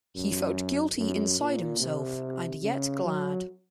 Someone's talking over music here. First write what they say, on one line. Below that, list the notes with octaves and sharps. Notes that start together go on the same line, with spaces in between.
He felt guilty inside himself, and yet glad.
F#2
F#2
A#2
C3
C#3
F#3